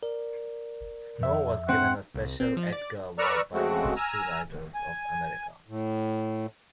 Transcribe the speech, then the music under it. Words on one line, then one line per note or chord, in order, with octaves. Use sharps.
Snow was given a Special Edgar Award by the Mystery Writers of America.
A#4 D5
F2 E5
C4 F#5
C2
C4
F3
D5
B4 D5 A#5 C#6 E6 F6
C#3 G#3 A3 C4 F#4
G#5 A#5 E6 F6
G#5
A2